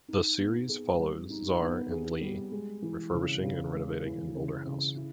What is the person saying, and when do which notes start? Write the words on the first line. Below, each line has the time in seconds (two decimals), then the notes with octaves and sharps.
The series followed Czar and Leigh refurbishing and renovating an older house.
0.08 D#4
0.38 B3
0.69 G#4
0.99 G3
1.30 D#4
1.60 B3
1.91 G#4
2.21 G3
2.52 G#3
2.82 E3
3.13 C#3
3.43 C#3
3.74 G#3
4.05 E3
4.35 C#3
4.66 C#3
4.96 E4